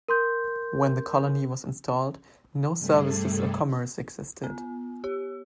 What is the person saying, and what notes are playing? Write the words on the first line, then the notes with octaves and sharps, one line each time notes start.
When the Colony was installed, no services or commerce existed.
A#4 C6 G6
G2 C3 G3 A3 G#4 A4
B3
G4